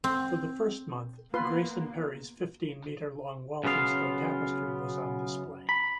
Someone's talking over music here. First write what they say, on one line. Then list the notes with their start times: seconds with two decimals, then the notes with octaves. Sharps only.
For the first month, Grayson Perry's fifteen-metre long Walthamstow Tapestry was on display.
0.04 C4
1.34 A#3 B3 F4 B4 C6
3.64 F#2 C#3 B3 F4 F5
5.69 B5